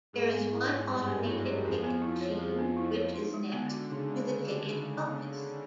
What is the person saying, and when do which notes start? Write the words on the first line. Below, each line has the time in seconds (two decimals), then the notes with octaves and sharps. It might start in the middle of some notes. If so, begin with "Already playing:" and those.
There is one automated ticket machine, which is next to the ticket office.
0.13 G#2 G#3 G#4
0.32 B3
0.52 E4
0.69 C#5
0.88 G2 G3 G#4
1.07 B3
1.26 F#2 F#3 E4
1.45 C#5
1.64 F2 F3 G#4
1.83 B3
2.02 E4
2.21 C#5
2.39 F2 F3 G#4
2.59 B3
2.77 E4
2.95 C#5
3.14 D#4
3.34 G#3
3.52 D3 B3
3.71 F#4
3.89 C#3 D#4
4.09 G#3
4.27 D3 B3
4.47 F#4
4.65 D#4
4.83 G#3
5.03 B3
5.22 F#4
5.41 D#4